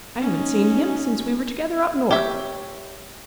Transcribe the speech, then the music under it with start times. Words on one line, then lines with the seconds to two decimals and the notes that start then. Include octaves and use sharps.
I haven't seen him since we were together up North.
0.21 C#4 D#4
2.11 G4 C#5 E5